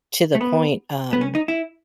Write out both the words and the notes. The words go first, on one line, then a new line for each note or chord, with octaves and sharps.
to the point, um
A3
B3
B3
C#4
D#4
E4